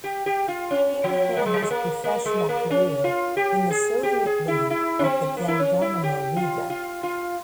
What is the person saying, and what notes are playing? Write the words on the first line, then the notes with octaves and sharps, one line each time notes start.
He began his professional career in the Soviet League at the then Dinamo Riga.
G4
G4
F4
C#4
F3
A#3
G#3
G3
G#3
A#3
A#3
G#3
A#3
C#4
F4
G4
G#4
G4
G#4
E4
E4
C#4
C4
A#3
E4
C#4
E4
G4
F4
F4
F4